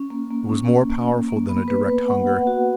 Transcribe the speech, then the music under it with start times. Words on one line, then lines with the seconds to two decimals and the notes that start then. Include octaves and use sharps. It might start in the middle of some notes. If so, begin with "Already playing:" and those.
It was more powerful than a direct hunger.
Already playing: C#4
0.10 A#3
0.31 A#3
0.49 C#4
0.70 A#3
0.90 A#3
1.09 A#3
1.29 A#3
1.49 B3
1.68 B4
1.88 B4
2.08 F#5
2.27 F#5
2.47 F#4